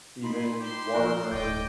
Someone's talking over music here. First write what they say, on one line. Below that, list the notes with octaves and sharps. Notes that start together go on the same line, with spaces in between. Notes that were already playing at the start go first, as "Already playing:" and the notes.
even watermelon
D#4 B5 C6
G4 C5 C6
F3 B3 A#4 F#6
D1 G1 D5 D#5 G5 G6